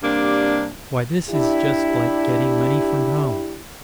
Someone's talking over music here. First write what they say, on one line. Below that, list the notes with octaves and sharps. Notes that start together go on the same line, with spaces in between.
"Why, this is just like getting money from home."
C3 G3 A#3 D4
D4 E4 G4